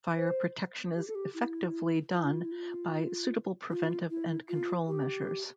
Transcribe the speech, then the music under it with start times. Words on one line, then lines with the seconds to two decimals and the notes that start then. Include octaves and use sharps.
Fire protection is effectively done by suitable preventive and control measures.
0.17 C5
0.95 G4
1.07 A4
1.15 G4
1.34 E4
2.13 F4
2.20 E4
2.27 F4
2.45 E4
2.52 F4
3.71 F4
4.10 E4
4.49 F4
4.88 G4